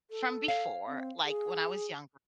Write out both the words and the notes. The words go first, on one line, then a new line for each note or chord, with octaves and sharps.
from before, like, when I was younger,
A4
C#5 F5
C4
G#4